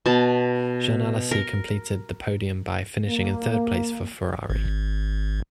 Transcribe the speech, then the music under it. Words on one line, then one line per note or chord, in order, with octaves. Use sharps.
Jean Alesi completed the podium by finishing in third place for Ferrari.
B2 A5
A#4
A#3
G#1